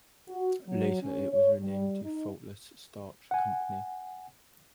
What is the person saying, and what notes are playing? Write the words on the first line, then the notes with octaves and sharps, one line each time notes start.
Later, it was renamed to Faultless Starch Company.
F#4
F#3
C#4
C#5
G3
D#4
F#5 G#5